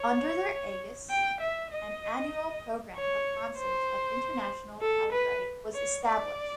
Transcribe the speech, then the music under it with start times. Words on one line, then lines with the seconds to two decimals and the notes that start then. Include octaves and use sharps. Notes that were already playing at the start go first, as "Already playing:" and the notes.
Under their aegis an annual programme of concerts of international calibre was established.
Already playing: C#5
1.10 G5
1.41 E5
1.71 D#5
2.96 C#5
3.58 C5
4.82 A4
5.12 B4
5.74 C#5
6.05 D5